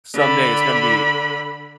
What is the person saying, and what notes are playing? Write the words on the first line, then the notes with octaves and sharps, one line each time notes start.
someday is gonna be
D3 B5